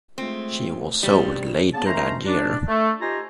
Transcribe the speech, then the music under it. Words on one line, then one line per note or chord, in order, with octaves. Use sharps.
She was sold later that year.
G#3 A3 C4 F4
G2 D#3 G3 C4
C#3 A#3 B3 A5
D#3 A3 C#4 C5 A#5
D4
A3
D#4 F4 G4 C5 G#5 A#5